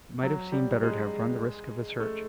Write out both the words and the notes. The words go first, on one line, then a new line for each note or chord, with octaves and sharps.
It might have seemed better to have run the risk of a search.
F#3
G3
G#3
A3